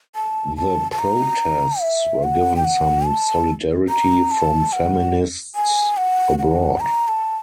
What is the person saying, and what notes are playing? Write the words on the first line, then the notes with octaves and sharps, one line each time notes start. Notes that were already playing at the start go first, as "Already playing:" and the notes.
The protests were given some solidarity from feminists abroad.
A5
A5
A5
A#5
E5
F#5
G5
F#5
A5
A#5
A5
F#5
G#5
F#5
F#5
A#5
A5